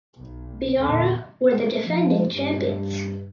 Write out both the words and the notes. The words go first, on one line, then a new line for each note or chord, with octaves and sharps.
Beara were the defending champions.
B1
E2 A#2 D3
F3
G2